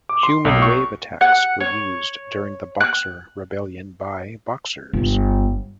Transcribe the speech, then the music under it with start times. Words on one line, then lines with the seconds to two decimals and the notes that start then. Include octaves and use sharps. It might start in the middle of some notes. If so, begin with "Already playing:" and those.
Human wave attacks were used during the Boxer rebellion by Boxers.
0.09 D6
0.23 C6
0.45 B1
0.62 C#6
1.21 F#5
1.60 C#5
2.80 F#6
4.93 G1